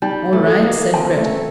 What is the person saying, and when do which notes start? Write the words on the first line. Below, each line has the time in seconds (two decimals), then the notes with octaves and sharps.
"All right," said Breton.
0.02 G3 D#4
0.33 A3
0.47 A4
0.63 A#3
0.93 C4 A5
1.17 A3